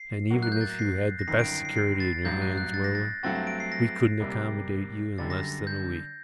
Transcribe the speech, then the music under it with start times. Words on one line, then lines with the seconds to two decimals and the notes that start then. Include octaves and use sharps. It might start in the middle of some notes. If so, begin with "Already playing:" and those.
And even if you had the best security in your hands, Merwin, we couldn't accommodate you in less than a week.
Already playing: C7
0.30 A2 F#3 A#3 F#4
0.43 F#6
0.52 G6
0.61 A6
0.70 A#6
0.79 C7
1.19 A#6
1.28 G1 F#2 D#3 C7
1.39 D7
1.52 C7
1.65 C7
1.76 C7
2.00 A6
2.25 A1 G2 F#3 G6
2.42 F#6
2.58 F#6
2.74 A6
2.84 A#6
2.95 A6
3.23 G2 F#3 A3 C4 F#4 A6
3.36 A#6
3.47 D7
3.60 C7
3.72 A#6
4.20 C2 C3 G3 A#3
5.18 F#2 D3 G3 D4 A6
5.30 A#6
5.43 A#6
5.67 G6